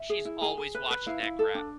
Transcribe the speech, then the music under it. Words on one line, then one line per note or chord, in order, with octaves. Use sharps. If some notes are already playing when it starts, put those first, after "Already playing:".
she's always watching that crap.
Already playing: E5
G#4
E4
G#4 G#5
G#4
B4
B4
E4 F5
E4
A4
D4